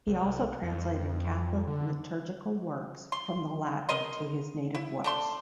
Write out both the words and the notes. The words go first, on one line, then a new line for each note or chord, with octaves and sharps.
He also translated Catholic liturgical works from the Latin to his native Welsh.
C2
F2
D3
C6
A#4 B4 D#5 C6
E4
A3 D4 C6